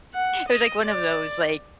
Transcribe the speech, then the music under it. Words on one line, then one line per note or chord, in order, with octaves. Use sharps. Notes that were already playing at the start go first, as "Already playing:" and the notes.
It was, like, one of those, like
F#5
D#5
D5